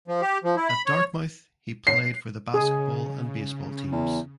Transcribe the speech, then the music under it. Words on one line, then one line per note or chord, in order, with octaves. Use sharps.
At Dartmouth he played for the basketball and baseball teams.
F3
G4
F3
E4
B5
C#5
C7
C#3 G#4
E2